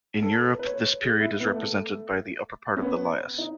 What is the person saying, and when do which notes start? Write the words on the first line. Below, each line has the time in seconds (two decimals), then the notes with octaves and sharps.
In Europe this period is represented by the upper part of the Lias.
0.22 A4
0.44 B4
0.59 B4
0.66 C#5
1.03 G#4
1.20 E4
1.40 B3
1.52 A3
2.77 C#4
2.82 B3
3.38 D#4